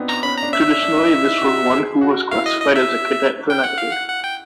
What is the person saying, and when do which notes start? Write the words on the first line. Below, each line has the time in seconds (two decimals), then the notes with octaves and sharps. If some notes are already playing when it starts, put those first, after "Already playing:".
Traditionally, this was one who was classified as a 'cadet for knighthood'.
Already playing: B3 C4 D4 D#4 F4
0.09 A#5
0.23 C#4 B5
0.38 D4 A#5
0.53 C#4 E5
0.67 D4
0.83 D4
0.97 D#4
1.13 E4
1.42 F#4
1.72 G#4
2.01 F#4
2.31 E4 F5
2.46 D#5
2.61 D#5
2.75 E5
3.50 G5
3.64 F#5
3.78 F5
3.91 F#5
4.09 F#5
4.24 G5